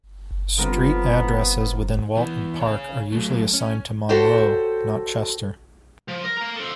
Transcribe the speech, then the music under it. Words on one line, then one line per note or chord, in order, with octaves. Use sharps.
Street addresses within Walton Park are usually assigned to Monroe, not Chester.
D3 F3 G3 B3 C4 A#4
E3 B3
G#4 C#5
F#3 A3
C#4
F#4 G4 A4 C5 C#5 G5
F3
A#4
A#3 A#5
A4 C5